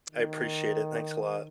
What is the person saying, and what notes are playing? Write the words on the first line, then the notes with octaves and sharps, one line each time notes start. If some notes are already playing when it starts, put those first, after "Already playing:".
I appreciate it, thanks a lot.
D#3